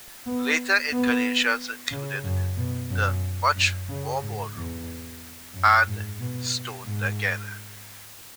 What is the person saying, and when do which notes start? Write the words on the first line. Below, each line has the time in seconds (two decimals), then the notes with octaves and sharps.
Later incarnations included the Much More Ballroom, and Stoned Again.
0.26 B3
0.92 B3
1.91 C#3
2.24 F#2
2.58 B2
2.90 F#2
3.56 F#2
3.89 C#3
4.22 G#2
4.55 E2
5.54 F#2
5.87 G#2
6.19 B2
6.85 G#2